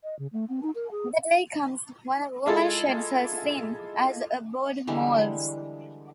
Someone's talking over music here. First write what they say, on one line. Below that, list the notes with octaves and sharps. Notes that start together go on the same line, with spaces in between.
The day comes when a woman sheds her sin as a bird moults.
D#5
C#3
A3
C4
D#4
A#4
G#4
G#3 E4 F4 G#4 A4
D3 E3 G3 G#3